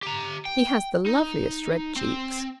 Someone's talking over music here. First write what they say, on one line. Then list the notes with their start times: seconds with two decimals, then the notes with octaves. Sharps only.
He has the loveliest red cheeks.
0.03 G4 A#5
0.45 G5
1.06 D#4
1.97 C4